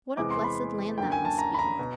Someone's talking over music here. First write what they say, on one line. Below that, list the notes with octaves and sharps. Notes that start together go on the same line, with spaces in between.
What a blessed land that must be!
E2 C3 E3 G#3 D6
C6
B5
F#2 D3 F#3 A#3 G5
G#5
A5
A#5
B5
A#5
B2